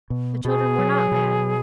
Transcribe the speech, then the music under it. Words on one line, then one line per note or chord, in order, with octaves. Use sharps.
The children were not mad.
B2
B2 G#4
F#3
B2